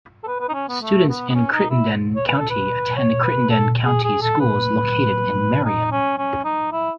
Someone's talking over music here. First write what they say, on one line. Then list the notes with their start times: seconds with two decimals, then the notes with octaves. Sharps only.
Students in Crittenden County attend Crittenden County Schools located in Marion.
0.24 A4
0.27 B4
0.40 B4
0.49 D#4
0.54 C#4
0.68 B3
0.82 A3
1.08 B3
1.29 B3
1.34 C#4
1.53 D#4
1.70 E4
2.16 C#5
2.27 B4
2.39 A4
2.50 B4
2.96 C#5
3.23 B4
3.50 A4
3.85 G#4
4.04 G#4
4.22 A4
4.40 B4
5.64 D#4
5.92 C#4
6.18 C#4
6.45 D#4
6.72 E4